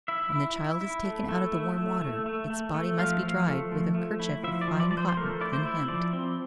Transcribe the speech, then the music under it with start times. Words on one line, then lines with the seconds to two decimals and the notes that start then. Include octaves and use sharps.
When the child is taken out of the warm water, its body must be dried with a kerchief of fine cotton, unhemmed.
0.08 E4 E5
0.32 E4
0.56 E4
0.81 E4
1.05 A3
1.29 A3
1.53 E4
1.78 A3
2.01 A3
2.26 A3
2.50 A3
2.74 A3
2.98 F3 F5
3.23 F3
3.48 A3
3.72 F3
3.95 A3
4.20 E4
4.44 F3 E5
4.61 D5
4.68 F3
4.80 D5
4.91 F3 D5
4.98 C5
5.08 C5
5.17 A3 A#4
5.41 E4 D5
5.53 C5
5.65 E4
5.88 F3 D5
6.13 C4